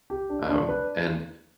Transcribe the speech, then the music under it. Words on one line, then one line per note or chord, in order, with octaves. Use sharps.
um, and
G4
D4
D4
B4